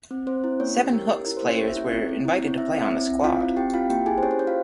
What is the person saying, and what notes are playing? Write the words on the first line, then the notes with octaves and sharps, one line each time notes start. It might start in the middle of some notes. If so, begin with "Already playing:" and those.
Seven Hooks players were invited to play on the squad.
C4
C4 C5
E4
A#3 C#4 C#5
C#4 G4 C#5
G4 A#4
G4
E4 A#4
C5
A#3
C#4 C#5
G4 C#5
E5
C#4 E4 C#5
C4 C#4 C#5
C4
E4
C4
C#5
C4 E4 E5
C4
C4
C4
E4 F4 F5
C4
C4 G4 G5
E4 F4 F5
A#3 G4 G5
E4 G#4 G#5
C5
C#4 G4 C#5
C5
C#4 C#5
F4 F5